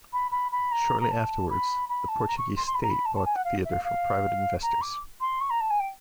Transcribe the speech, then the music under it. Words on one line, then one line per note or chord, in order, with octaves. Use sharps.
Shortly afterwards, the Portuguese state bought the theatre from private investors.
B5
B5
B5
A#5
A#5
A5
B5
B5
A5
A#5
C#6
C6
C6
B5
A#5
B5
A5
A5
G#5
F#5
F5
E5
F5
F5
A#5
D6
C6
C#6
A#5
A5
G#5
G5